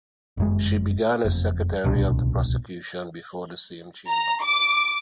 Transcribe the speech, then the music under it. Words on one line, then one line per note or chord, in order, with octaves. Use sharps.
She began as secretary of the prosecution before the same chamber.
G1 F#2 G#3
F#1 F2
D1 C2 B2 D4
A#5
D6